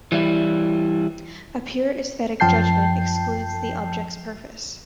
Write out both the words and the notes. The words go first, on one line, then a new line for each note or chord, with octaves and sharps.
A pure aesthetic judgement excludes the object's purpose.
E3 G3 E4
F#2 F3 G5 A5 G6 C7